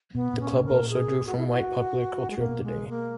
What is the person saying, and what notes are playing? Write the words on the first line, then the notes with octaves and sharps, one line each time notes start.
The club also drew from white popular culture of the day.
B2 B3
A#2
C#4
A#2
B2 A#4
A#2
G#4
F#4
E4
F#4
G#3
B2 A#3
G#3
A#3